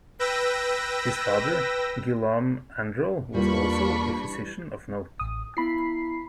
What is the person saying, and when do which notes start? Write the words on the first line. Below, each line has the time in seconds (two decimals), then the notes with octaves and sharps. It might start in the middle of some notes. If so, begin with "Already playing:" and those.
His father, Guillaume Andral, was also a physician of note.
0.19 B4 G5 E6 A#6
3.34 E2 E3 G3 A#3 D4 F4 B5 C#6
5.20 A1 D#6
5.57 B3 E4 B5 C7